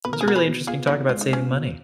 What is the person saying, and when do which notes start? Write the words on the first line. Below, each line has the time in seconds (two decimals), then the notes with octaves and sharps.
was a really interesting talk about saving money.
0.05 B2 B4
0.13 A#4
0.21 G#4
0.25 B2 F#4 A#4
0.35 G#4 B4
0.47 B2
0.67 B3 F4 G#4
0.87 B3 D#4 F#4
1.09 G#3 F4
1.21 D#4
1.30 B3 C#4 F4
1.51 B2